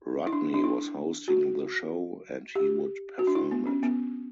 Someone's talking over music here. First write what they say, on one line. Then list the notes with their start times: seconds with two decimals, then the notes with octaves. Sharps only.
Rodney was hosting the show, and he would perform it.
0.27 E4
0.33 D4
0.54 D4
0.64 E4
1.28 F#4
2.55 G4
3.19 F#4
3.27 D4
3.35 E4
3.51 B3
3.67 C#4
3.83 B3